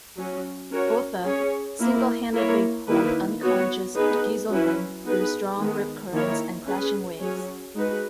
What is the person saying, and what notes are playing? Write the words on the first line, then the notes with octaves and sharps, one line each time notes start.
Botha single-handedly pulled unconscious Geiselman though strong rip currents and crashing waves.
F#3 C#4 F#4
C#4 F#4 A#4 C#5
C#4 G#4 C#5
A#3 E4 A#4
A#3 E4 A#4 C#5
D#3 A#3 E4 B4
F#3 B3 F#4 C#5
B3 D#4 G#4 B4
F#3 C#4 E4 B4
B3 D#4 G#4 B4
D#3 G#3 B3
D#3 A#3 E4 A#4 C#5
C#4 G#4 B4
F#3 C#4 G#4 C#5
G#3 D#4 F#4 B4